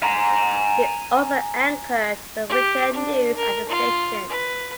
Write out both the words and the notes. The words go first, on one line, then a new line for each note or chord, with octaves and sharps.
She also anchored the weekend news at the station.
G#5 A#5
G4
D4
A#4
F4
B4